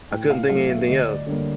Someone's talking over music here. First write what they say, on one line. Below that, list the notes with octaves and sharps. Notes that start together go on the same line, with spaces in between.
I couldn't think anything else.
A2 G5
F5
F#3 A3 F5
E5
D2 D#5
D5
D3 G3 A#3 C#5